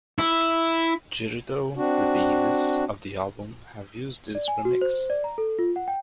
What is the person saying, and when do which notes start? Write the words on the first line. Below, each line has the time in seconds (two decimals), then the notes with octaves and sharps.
Digital releases of the album have used this remix.
0.19 E4
1.76 C4 D4 F#4
4.35 D5
4.48 G#5
4.65 F#4
4.81 C5
5.10 D5
5.24 A#5
5.38 A4
5.59 F4
5.76 F#5
5.88 G5